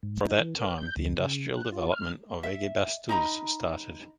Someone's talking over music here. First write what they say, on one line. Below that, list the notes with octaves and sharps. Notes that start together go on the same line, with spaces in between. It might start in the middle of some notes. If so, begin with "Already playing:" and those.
From that time the industrial development of Ekibastuz started.
G#2
D#4
E3
A#4
G6
D2
C#3
F#6
F4
F6
E5
D#4 A#5 B5